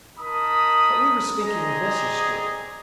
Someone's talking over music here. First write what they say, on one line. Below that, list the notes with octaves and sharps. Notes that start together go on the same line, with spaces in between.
But we were speaking of Vesey Street.
D#4 A#4 A5 B5 D#6
C4 G#4 D5 D#5 G#5 A#5